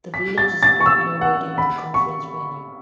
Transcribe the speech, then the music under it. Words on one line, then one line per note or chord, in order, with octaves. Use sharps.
The village is a popular wedding and conference venue.
B6
A6
A6
C#6
E6
F#5
B5
C#6